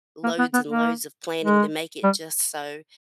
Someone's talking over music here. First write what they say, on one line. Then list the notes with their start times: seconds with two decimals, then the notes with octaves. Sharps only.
loads and loads of planning to make it just so
0.24 A#3
0.39 B3
0.54 B3
0.68 A#3
1.44 G#3
2.03 G3